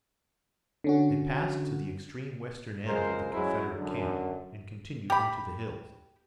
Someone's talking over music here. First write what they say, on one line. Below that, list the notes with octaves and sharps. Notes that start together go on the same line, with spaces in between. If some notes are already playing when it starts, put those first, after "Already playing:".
They passed to the extreme western end of the Confederate camp, and continued into the hills.
D3 C#4 F#4
C#2 G#3 A#4 C5
F#3 G#3 C#4 E4
F#2 D3
G4 B5